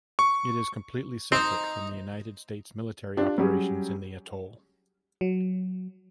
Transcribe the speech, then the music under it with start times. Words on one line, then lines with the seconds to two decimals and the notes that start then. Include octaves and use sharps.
It is completely separate from the United States military operations in the atoll.
0.19 C#6
1.32 C4 D#4 C5
3.17 D4 F4 G4
3.38 F#3 G3 C#4 G4 G#4
5.21 F#3